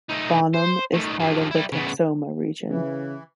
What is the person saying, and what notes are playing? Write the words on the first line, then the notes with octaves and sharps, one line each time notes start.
Bonham is part of the Texoma region.
A3 D#4
C5
D#3 A3
G2 F3
G3 E4
C#3 B3
C#3 E3